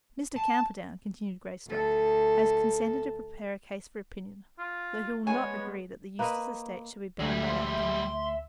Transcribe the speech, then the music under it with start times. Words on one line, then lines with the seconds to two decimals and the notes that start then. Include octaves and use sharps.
"Mr. Camperdown," continued Greystock, "has consented to prepare a case for opinion, though he will not agree that the Eustace estate shall be bound by that opinion."
0.36 A5
1.68 D2 A4
4.59 F4
5.27 G#3 B3 C#5 G#5
6.19 A#3 B4 D#5
7.20 D2 G3 G#3 E5
7.48 C6